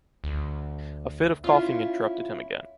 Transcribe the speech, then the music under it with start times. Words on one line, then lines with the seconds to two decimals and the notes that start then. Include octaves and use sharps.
A fit of coughing interrupted him again.
0.24 D2
1.44 C#4 E4 F4